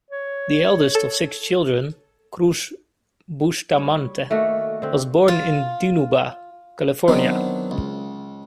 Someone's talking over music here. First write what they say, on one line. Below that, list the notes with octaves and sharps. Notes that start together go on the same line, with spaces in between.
The eldest of six children, Cruz Bustamante was born in Dinuba, California.
C#5
A4
G3 C#5
D#3 A3 A#3 F#4
D3 C4
F4
D#3 F#3 B3 C4 D4
C#2